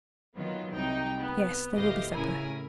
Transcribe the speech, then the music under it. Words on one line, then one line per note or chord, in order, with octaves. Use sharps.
"Yes, there will be supper."
D#3 F#3 B3 F4
C2 D#4 G5
B3
D2 A2 G4 D#5 F5
A2 C#3 E4 A#4 G#5